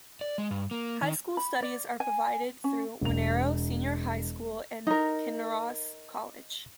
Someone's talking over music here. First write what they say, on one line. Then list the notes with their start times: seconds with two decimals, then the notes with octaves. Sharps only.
High school studies are provided through Wanneroo Senior High School and Kinross College.
0.21 D5
0.38 G#3
0.51 G2
0.71 A#3
1.02 D#3
1.37 B5
1.62 D5
2.00 G#5
2.64 C#4
3.01 E1 F7
4.87 D#4 A#4